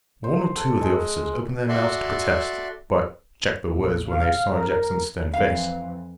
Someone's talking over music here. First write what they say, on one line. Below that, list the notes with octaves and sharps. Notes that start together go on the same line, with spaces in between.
One or two of the officers opened their mouths to protest, but checked the words when they saw Jackson's stern face.
C5
A4
G#3
F#4 A4 D5 E5 C6
A#1
F5
A#4
F2 E3 C4 F5